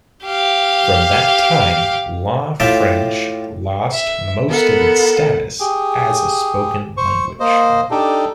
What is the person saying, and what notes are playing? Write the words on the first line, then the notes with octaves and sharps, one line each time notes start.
From that time, Law French lost most of its status as a spoken language.
G4 F5
A2 F4 G4 E5 G5 A5
E5
B3 A4 A#4 F#5
G4 G#4
C5 C#6
A#3 C5 D#5
D4 D#4 G4 A4